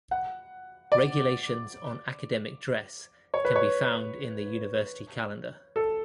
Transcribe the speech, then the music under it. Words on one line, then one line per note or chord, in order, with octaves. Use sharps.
Regulations on academic dress can be found in the University Calendar.
F#5
D5
C#5
B4
C#5
A4